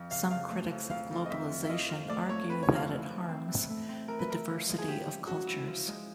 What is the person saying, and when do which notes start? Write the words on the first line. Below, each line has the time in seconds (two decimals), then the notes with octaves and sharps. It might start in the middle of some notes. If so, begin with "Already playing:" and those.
Some critics of globalization argue that it harms the diversity of cultures.
Already playing: F2 F3
0.11 C#3 F5
0.31 C#3 F5
0.50 A3
0.71 F2
0.90 F2 F5
1.11 F2
1.26 D#5
1.30 C4 E5
1.50 F3
1.64 E5
1.69 F4 D#5
1.90 F4
2.09 A3 D5
2.29 A3 C#5
2.50 C4 B4
2.63 C#5
2.69 F3
2.76 F5
2.89 E3
3.09 E3
3.28 C4
3.49 E3
3.69 A3
3.89 C4
4.08 E3 A#4
4.19 B4
4.28 E3 A#4
4.48 F3
4.68 G#3
4.78 G#4
4.87 C#4 G4
5.07 C#4
5.27 C#4 F#4
5.47 E4
5.67 F3
5.88 G#3